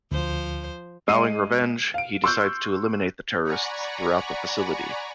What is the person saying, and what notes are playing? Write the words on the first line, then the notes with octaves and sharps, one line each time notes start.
Vowing revenge, he decides to eliminate the terrorists throughout the facility.
D2 F3 C5
G#3 C7 D#7
F5 D7
C6 C#6 E6 F#6 G6
D5 F#5 G#5 A#5 B5 C#6